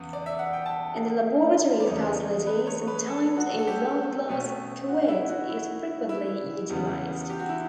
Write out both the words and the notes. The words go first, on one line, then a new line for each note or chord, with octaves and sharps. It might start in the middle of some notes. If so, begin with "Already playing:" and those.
In the laboratory facility, sometimes a round glass cuvette is frequently utilized.
Already playing: E2 C#3 B3
D5
E5
F#5
G5
A5
D5
E2 C#3 G3 C#5
B4
C#5
B4
A4
F#4
A4
G4
B2 A3 C#4
F#4
E4
F#4
E4
E4
E2 C#3 G3 B3
G4
F#4
E4